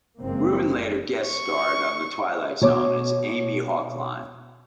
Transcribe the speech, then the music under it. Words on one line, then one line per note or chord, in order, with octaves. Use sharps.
Rubin later guest starred on "The Twilight Zone" as Amy Hawkline.
F#1 E3 G#3 A#3 C4
C#6
B2 C#5 D6